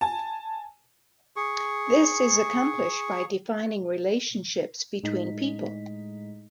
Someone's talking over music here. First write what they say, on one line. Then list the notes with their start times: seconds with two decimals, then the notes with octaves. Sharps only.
This is accomplished by defining relationships between people.
0.01 G#5 A5
1.36 G#4 C#6
5.03 A2 G#3 D#4 D#5 B6